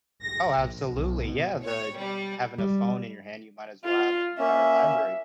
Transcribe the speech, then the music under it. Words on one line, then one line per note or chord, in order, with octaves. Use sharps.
Oh, absolutely, yeah, the having a phone in your hand, you might as well have the entire library,
A#6
A#1
B1
B2
C#5
G3
G3
F4
A#3 C#4 E5